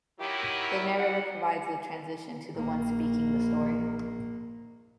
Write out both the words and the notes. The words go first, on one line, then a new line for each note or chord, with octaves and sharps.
The narrator provides the transition to the one speaking the story.
D#3 F#3 E4 G4
F#5
A#1 A#3